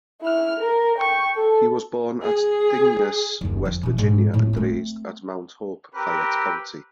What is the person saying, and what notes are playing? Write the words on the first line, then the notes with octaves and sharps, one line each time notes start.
He was born at Dingess, West Virginia and raised at Mount Hope, Fayette County.
E4 F6
A#4
G5 C#6
A4
G#4
F#1 D#2
F2
B2 E3
G#2
A2
A3 C4
C4 G4 A#4 B4